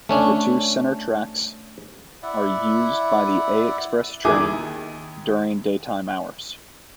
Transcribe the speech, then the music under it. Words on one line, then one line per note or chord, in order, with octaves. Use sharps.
The two center tracks are used by the A express train during daytime hours.
A3 C#4 D4
E4 D5 E5 F#5
D#2 D#3 E4 G#4 G#5 D6